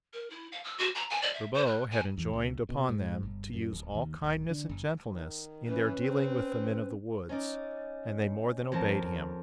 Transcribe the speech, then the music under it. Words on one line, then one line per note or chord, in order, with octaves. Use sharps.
Ribaut had enjoined upon them to use all kindness and gentleness in their dealing with the men of the woods; and they more than obeyed him.
A#4
E4
F5
E6
F#4
A#5
G#5
D5
E5
C5
F#6
G#5
E2
C#2
B2
G#2
G1
F#2
D1
D#2
D1
D3
F#1
D#3
E3 C#4 B4
C4
C#4 D#4 D5
F2 A#4 A5